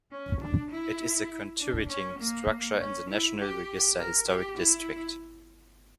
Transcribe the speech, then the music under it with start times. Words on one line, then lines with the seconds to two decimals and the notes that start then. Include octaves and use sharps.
It is a contributing structure in the National Register Historic District.
0.11 C#4
0.41 D4
0.71 E4
1.60 D4
1.89 C#4
2.19 A#3
2.80 C#4
3.10 E4
3.39 G4
3.98 A#4
4.28 G4
4.58 E4